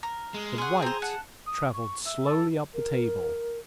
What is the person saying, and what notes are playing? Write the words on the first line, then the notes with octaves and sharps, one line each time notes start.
The white travelled slowly up the table.
A#4
G#3
C#4 G#4 F#5 C6
C4 C5 A#5
F#5 A5
D#6
C#6
E5
A4
A#4